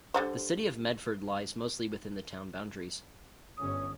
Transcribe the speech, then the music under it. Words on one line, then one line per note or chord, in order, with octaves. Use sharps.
The City of Medford lies mostly within the town boundaries.
D3 G3 C5
G1 C#4 D#6